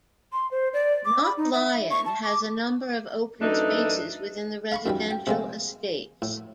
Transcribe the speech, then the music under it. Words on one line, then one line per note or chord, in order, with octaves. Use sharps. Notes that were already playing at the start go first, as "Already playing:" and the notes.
Knocklyon has a number of open spaces within the residential estates.
C6
C5
D5
D6
B5
D#4
E5
C#6
A5
D6
F#2 E3 A3 D4 D#4
F5 B5 C#6
F#2 D#3 G3
G5
C3 G#3 A#3
A2